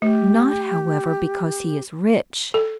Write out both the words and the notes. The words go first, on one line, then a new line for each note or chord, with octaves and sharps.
"Not, however, because he is rich."
A3 G4
A4